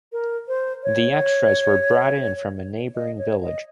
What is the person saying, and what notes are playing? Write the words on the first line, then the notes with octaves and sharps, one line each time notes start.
The extras were brought in from a neighboring village.
A#4
C5
C#5
D#5
C#5
D#5